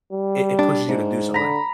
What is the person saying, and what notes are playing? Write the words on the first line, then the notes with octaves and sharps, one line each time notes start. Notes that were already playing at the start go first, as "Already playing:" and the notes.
it it pushes you to do something.
G3
D4
G#2
D3 A#5 B5